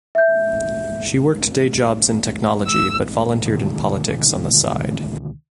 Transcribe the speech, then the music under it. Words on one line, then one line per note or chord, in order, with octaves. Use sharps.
She worked day jobs in technology but volunteered in politics on the side.
E5 G6
E6
C#2 B2 D3 D#3